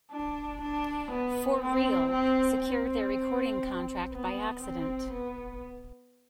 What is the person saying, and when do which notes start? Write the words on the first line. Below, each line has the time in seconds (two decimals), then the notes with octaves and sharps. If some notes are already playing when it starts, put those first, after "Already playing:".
For Real secured their recording contract by accident.
0.12 D4
0.62 D4
1.12 B3
1.63 C4
2.12 C4
2.62 C4
4.12 B3
4.62 C4
5.12 B3